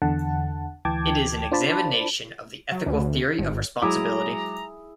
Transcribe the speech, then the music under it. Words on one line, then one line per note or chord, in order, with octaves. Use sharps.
It is an examination of the ethical theory of responsibility.
E2 D3 F#5 A5
D2 E3 G5 A5 D6 G#6
D4 F4 C5 D5 A5 B5
F#3
D2
G#1
F#3 G#3 E4 G#4 A#5 D6